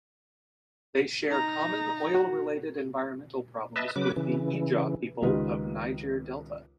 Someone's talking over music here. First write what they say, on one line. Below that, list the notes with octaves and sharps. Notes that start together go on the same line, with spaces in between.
They share common oil-related environmental problems with the Ijaw people of Niger Delta.
D#4 A#5
F#4
B4 D#5 E5 A5
C#3 F#3 B4 D6
C#3 E3
C#2 D#3 F4 G4 B4 D#5